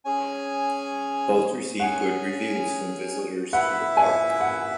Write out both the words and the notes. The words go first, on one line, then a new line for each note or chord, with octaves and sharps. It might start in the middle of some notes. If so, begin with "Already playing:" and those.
Both received good reviews from visitors to the park.
C#4 G#4 C#5 G#5
C#4 G#4 C#5 F#5 G#5
E4 B4 E5 F#5
G#5
F#5